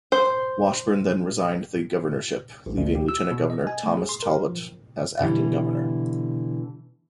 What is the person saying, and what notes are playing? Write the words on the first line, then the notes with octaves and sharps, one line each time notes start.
Washburn then resigned the governorship, leaving Lieutenant Governor Thomas Talbot as Acting Governor.
C5
A1
D2
G4
E6
B2
D#5
G#5
A3
G#4
C6
A#4
F3
B2 D3 E3 G3 E4